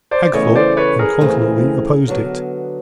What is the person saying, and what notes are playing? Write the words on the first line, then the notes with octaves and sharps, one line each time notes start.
Hagthorpe incontinently opposed it.
C5 D5
E2 C#3 E3 A3 C#5 D#5
C5 D5
B4 C#5
G#4 A#4
D2 C#3 E3 A3 C4
D3 F#3 B3